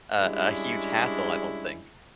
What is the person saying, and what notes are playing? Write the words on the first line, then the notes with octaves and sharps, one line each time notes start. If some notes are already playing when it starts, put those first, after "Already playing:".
a a huge hassle, I don't think.
G3 G#3 C#4 D4 E4 G#4